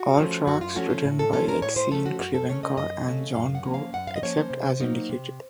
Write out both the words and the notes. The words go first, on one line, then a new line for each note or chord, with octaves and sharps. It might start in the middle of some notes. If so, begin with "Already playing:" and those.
All tracks written by Exene Cervenka and John Doe except as indicated.
Already playing: F#4
F3 A3 C#4
F#2 F#4
F4
F3 A3 C#4 F#4
F4
A2
A4
F3 A3 C#4 A4
A#4
A2 C#5
C5
F3 A3 C#4 A4
F#4
F#2 F#4
A4
C#3 A3 C#4 C#5
D#5
F#2 D#5
C#3 A3 C#4
F#2 F5
F#5
F3 A#3 C#4
F5
F#2 F#5
F5
D#5
F3 A#3 C#4 C#5
C5
C3
F#3 A#3 D#4
C3